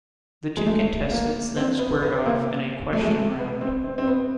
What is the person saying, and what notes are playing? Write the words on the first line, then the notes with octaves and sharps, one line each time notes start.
The two contestants then squared off in a question round.
G#3
A3
A#3
C4
B3
B3
A#3
A3
G#3
A3
B3
C4
C4
C4
B3